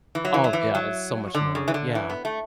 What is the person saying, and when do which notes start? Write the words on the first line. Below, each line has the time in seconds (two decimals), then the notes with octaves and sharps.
Oh, yeah, it's so much more, yeah.
0.15 E3
0.25 F#3
0.34 E3
0.44 F#3
0.53 E3
0.75 F#3
1.35 D3
1.55 C#3
1.68 E3
1.74 D3
1.95 E3
2.10 B3
2.25 A3